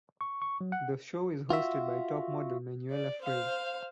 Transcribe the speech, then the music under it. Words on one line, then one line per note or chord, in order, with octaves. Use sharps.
The show is hosted by Topmodel Manuela Frey.
C#6
C#6
F#3
F#5
F4 F#4 E5
D5
C5 F5